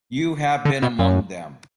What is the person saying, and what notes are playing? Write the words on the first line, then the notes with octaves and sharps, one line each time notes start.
You have been among them.
D3
B2
F#2